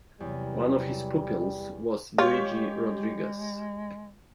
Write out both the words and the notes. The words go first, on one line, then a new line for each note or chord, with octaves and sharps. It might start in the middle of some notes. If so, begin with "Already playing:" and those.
One of his pupils was Luigi Rodriguez.
E2 C3 F#3 G3
G#3 F4 G4 C#5